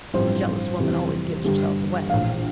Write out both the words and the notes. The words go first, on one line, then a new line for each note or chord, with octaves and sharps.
A jealous woman always gives herself away.
A1 G2 F3 C4 C5
F2 C3 E3 G3
G2 D3 G3
A#1 A2 E3 F5